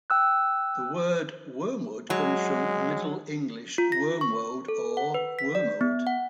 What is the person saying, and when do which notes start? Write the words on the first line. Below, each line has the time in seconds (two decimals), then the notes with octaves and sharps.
The word "wormwood" comes from Middle English "wormwode" or "wermode".
0.10 G5 E6 F#6
2.10 F#3 G#3
3.78 F4
3.92 A#6
4.21 C#6
4.68 A4
4.97 F#5
5.14 B4
5.39 B6
5.55 D5
5.81 B3
6.07 F#5